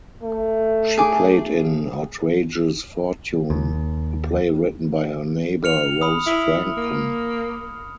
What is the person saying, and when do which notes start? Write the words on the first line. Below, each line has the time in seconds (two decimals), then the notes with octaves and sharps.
She played in "Outrageous Fortune", a play written by her neighbor Rose Franken.
0.23 A3
0.98 G#4 D6
3.50 D#2
5.64 F6 C#7 F7
6.02 B5 D#6
6.26 E4
6.77 A#3